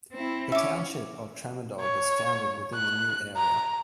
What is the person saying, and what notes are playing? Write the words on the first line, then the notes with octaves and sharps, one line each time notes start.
The township of Tremadog was founded within the new area.
C4 E4
C#4 E5 D6
C#5
F#6
A#5